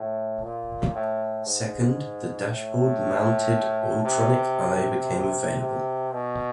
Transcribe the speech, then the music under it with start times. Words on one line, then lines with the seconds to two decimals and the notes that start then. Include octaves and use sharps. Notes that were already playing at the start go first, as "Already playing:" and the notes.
Second, the dashboard-mounted "Autronic Eye" became available.
Already playing: A2
0.43 A#2
0.94 A2
1.46 G#2
2.50 A2
4.04 C3
5.60 C3
6.12 B2